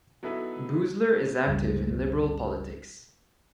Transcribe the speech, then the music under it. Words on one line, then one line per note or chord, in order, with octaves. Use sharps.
Boosler is active in liberal politics.
F#3 B3 D#4 E4 A4 B4
G1 C#2 G2